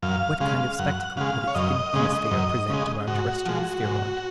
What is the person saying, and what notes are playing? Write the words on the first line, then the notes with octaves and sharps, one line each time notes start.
What kind of spectacle would its hidden hemisphere present to our terrestrial spheroid?
F#2 F5
C#3 G#3 F5
F#2 F#5
C#3 G#3 F5
C#5
F#2 D#5
C#3 G#3
F#2
C#3 G#3
G#2 F#4
F3 G#3
G#2